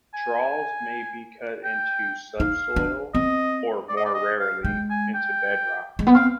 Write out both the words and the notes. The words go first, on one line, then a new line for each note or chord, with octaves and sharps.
Troughs may be cut into subsoil or, more rarely, into bedrock.
G#5
G5
D#4 F5
D4
C4 D#5
D5
D#5
D5
D#5
F5
G#3 G5
G#5
G5
G#3
B3
C4 F5